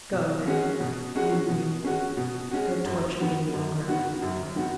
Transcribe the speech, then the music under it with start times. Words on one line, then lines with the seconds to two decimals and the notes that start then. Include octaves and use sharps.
"Go, then,--leave me; don't torture me any longer,--I can't bear it."
0.12 B2
0.46 G#3 C#4 F#4
0.80 B2
1.15 G#3 C#4 F#4
1.48 B2
1.83 G#3 C#4 F#4
2.17 B2
2.51 G#3 C#4 F#4
2.85 F#2
3.19 D#3 B3 F#4
3.54 F#2
3.88 D#3 B3 F#4
4.22 F#2
4.56 D#3 B3 F#4